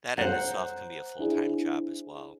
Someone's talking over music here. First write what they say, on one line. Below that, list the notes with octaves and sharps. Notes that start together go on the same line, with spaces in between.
that in itself can be a full-time job as well.
C5 F#5 A#5 F#6
D4 E4 G#4